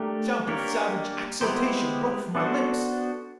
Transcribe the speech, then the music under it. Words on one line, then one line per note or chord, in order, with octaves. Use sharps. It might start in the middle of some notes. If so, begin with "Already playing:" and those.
A shout of savage exultation broke from my lips.
Already playing: A3 D4 G4 A#4
A#3 D4 G4 A#4 C#5
G#3 B3 E4 G4 C5
B3 D4 F#4 A4 C5